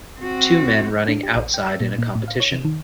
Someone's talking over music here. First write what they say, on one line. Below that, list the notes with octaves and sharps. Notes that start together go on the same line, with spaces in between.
Two men running outside in a competition.
C4 F#4
D4
G4
A#1
G5
E6
A#2
A#2
A2
F5
C#5
C3
D#3